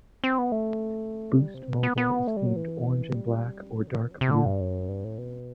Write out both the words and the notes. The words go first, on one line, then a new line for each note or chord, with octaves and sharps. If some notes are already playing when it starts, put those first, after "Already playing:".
Boost mobile is themed orange and black or dark blue.
C4
B3
A3
G3
C3
C4
B3
B3
B3
A3
G3
F#3
E3
G3
F#3
D3
E3
F#3
C3
D3
G2
F#2
G2
A2
B2